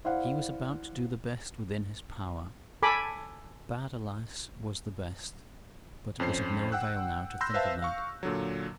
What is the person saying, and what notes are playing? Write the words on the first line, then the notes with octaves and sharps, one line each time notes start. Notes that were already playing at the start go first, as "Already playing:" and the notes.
He was about to do the best within his power. Bad, alas, was the best, but it was of no avail now to think of that.
E4 C5 D5 F5 F#5
A4 G#5 B5 D6
F2 C#4 C5 C7
F#5 G5 E6 F#6
B5 C6 E6 F#6 G6 A#6
B4 C5 E5 F5 A5
F5 C#6
A#2 D3 F#3